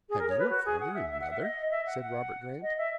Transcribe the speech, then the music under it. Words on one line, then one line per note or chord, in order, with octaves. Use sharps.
"Have you a father and mother?" said Robert Grant.
G#4
A#4
C#5
B4
F#4
G#4
F#5
E5
E5
F#5
E5
D#5
E5
F#5
F#5
D#5
E5